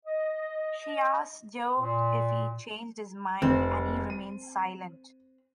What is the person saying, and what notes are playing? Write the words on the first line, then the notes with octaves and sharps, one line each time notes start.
She asks Joe if he's changed his mind and he remains silent.
D#5
A#2
F1 C4
D#7